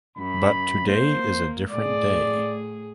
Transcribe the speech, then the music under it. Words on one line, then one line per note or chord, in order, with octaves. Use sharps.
But today is a different day.
F#2 B5
A#3 C5
A2 G#4 D5